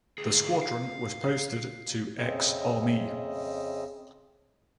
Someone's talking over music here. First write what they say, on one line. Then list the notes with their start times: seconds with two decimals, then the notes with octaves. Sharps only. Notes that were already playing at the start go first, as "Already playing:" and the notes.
The squadron was posted to "X Armee".
0.18 D2 G#4
0.63 F5
2.19 F2 C#3 C4 G#4 D#5 E5